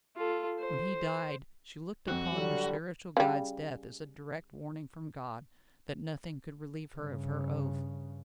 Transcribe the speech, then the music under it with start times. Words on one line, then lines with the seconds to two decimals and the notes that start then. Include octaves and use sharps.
When he died, she looked upon her spiritual guide's death as a direct warning from God, that nothing could relieve her of her oath.
0.16 F4 A4
0.59 C5
2.08 F2 C4 F#4 F#6
2.32 D3 F#3 G3
3.17 C#3 G3
6.98 G2 C#3